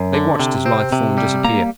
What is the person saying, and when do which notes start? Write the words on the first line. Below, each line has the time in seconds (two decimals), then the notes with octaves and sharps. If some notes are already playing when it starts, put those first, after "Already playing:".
They watched his lithe form disappear.
Already playing: F#2
0.14 D3
0.39 C3
0.66 C4
0.92 C3
1.18 G3
1.44 A#3 A#5